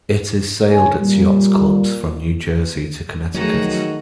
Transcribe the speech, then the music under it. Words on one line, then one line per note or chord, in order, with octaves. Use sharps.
It is sailed at yacht clubs from New Jersey to Connecticut.
C#3 C#5 G#5
A#2 G3
D#3 F3 F#3 A3 D#4 F#4 G#4